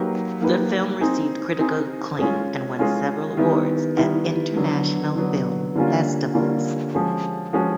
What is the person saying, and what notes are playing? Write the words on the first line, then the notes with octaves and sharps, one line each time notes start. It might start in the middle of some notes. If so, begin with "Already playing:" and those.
The film received critical acclaim and won several awards at international film festivals.
Already playing: F#3 A#3 D#4 G4 B4
F#3 A#3 D#4 G4 B4
C4 D#4 G#4
C4 D#4 G#4
G#3 C#4 F4
G#3 C#4 F4
D#3 G3 B3 E4
D#3 G3 B3 E4
D3 F#3 B3
D3 F#3 B3
D3 G3 A#3 C#4 F4
D3 G3 A#3 C#4 F4
F3 G#3 C#4 F#4
F3 G#3 C#4 F#4